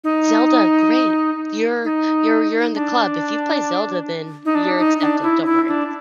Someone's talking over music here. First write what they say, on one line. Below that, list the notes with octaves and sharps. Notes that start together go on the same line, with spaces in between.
Zelda, great. You're you're you're in the club. If you play Zelda, then you're accepted, don't worry.
D#4
D#4
D4
D#4
D4
D#4
D4
E4
E4
D4